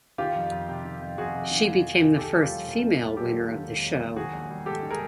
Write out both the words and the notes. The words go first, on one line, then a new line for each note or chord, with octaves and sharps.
She became the first female winner of the show.
D#3 F4 G4
F2
F2
C3
D#3
F2
F2 F#4 G#4
C3
D#3
F2
F2
C3
D#3 G4 A4
E1
F4 G4
F#3
D#2
D#3
E1
F#3 G4 A4
D#2
D#3
E1
F#3
D#2
D#3 F#4 G#4
A#1
G3
G#2 G4 A4
D#3
G#4 A#4